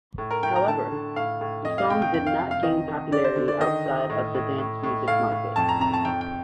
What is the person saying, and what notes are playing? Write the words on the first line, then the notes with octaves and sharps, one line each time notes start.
However, the song did not gain popularity outside of the dance music market.
A2
A#4
A2 G5
A#5
D3 A5
D3
A2 F5
A2
F2 D#5
F5
C3 G5
G5
F2 G5
F5
C3 F5
F5
D#3 D#5
D#3
D3 D5
C5
D3
D5
D#3 D#5
D#3
A2
A2
A2
A2
A2 F5
A2
F2 A5
A#5
C3 A#5
A5
F2 G5
G5